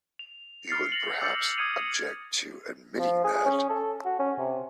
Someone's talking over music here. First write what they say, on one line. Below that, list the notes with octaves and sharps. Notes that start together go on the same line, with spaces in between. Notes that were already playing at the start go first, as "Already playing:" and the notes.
You wouldn't perhaps object to admitting that?
F7
F6 A6 C7 C#7
A#6 F7 F#7
D6 E6 G6 A6 C#7
D#6 F6 G#6 C#7 D#7 F7
F3
G#4
C#4
A4
F#4
C#4
C3